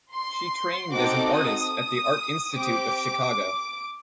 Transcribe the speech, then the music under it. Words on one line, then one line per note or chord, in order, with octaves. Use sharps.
She trained as an artist at the Art Institute of Chicago.
C6
C4 D#4 F#4 A4 D6
D#6
C4 G4 D6